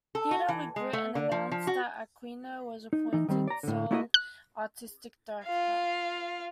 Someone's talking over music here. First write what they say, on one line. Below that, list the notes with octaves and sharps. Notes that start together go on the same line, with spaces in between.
Theatre with Grit and announced that Aquino was appointed sole artistic director.
A4
F#4
E3
G#3
A3
D3
F3
F3
F#4
D#4
E3 D#4
D#3 G3 C4
D5 A#5
A2 D3
A3 A#3 E4 F#4 C5 D#5
F#6
F4 F5